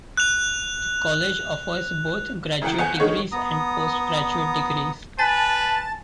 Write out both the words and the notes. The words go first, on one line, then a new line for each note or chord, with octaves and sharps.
The college offers both Graduate Degrees and Postgraduate Degrees.
F#6 F7
F#2 C#3 E3 F#5 G5
G1 F#5 G#5 G6
D3 D#3 G#3 C#5
B3 A#5 D#6
B4 G#5 A5 A6